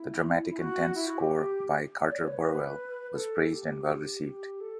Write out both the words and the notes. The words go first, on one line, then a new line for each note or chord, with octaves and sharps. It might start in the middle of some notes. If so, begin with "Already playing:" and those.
The dramatic and tense score by Carter Burwell was praised and well received.
Already playing: E4
E4
F#4
E4
F#4
G4
D5
C#5
B4
C#5
B4
A4
G4
G4
A4